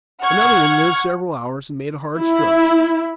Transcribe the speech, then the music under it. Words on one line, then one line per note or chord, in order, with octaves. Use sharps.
Another one lived several hours, and made a hard struggle.
F#5 C#6 F6 G#6
E4